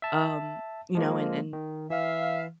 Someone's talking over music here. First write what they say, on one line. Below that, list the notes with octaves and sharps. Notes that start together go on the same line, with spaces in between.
um, you know? And and
E5 A5
F3 G#3 A#3
D#3
E3 E5 F5